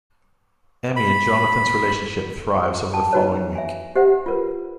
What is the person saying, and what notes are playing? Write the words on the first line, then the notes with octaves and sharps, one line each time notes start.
Emmy and Jonathan's relationship thrives over the following week.
B5
G5 A5
D#4 F#4 B4 C#5 A5
E5 G#5
G4 C5 E5 F#5
F4 A#4 B4